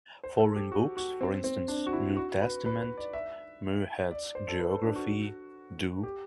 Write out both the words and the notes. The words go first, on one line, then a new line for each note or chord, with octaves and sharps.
Foreign books for instance New Testament, Muirhead's Geography, Do.
C5
A4
G4
F#4
F#4
C4
C4
D4
F#4
E4
F#4
B4
B4
B4
D5
E5
D5
C5
A4
B4
A4
D4
F#4
G4